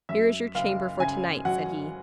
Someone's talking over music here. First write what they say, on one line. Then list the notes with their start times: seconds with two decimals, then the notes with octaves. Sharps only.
"Here is your chamber for to-night," said he.
0.09 F#2 E5
0.55 F#1 F5
0.99 C#3 G#5
1.45 F#3 F#5